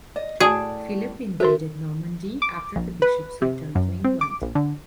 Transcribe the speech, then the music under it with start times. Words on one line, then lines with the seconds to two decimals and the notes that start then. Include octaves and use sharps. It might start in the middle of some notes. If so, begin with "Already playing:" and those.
Philip invaded Normandy after the bishops returned to England.
0.16 D5 D#5
0.40 A2 F#4 G#4 D5 A5
1.40 F#4 A4 A#4 C5 E5 C6
2.42 D6
2.76 A#1
3.02 B4
3.42 C3
3.75 F#2
4.04 C4
4.21 D6
4.42 A#1
4.55 D3